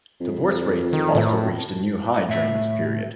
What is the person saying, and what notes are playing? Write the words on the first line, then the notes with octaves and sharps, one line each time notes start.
Divorce rates also reached a new high during this period.
F2
D#3
A2
A2 E5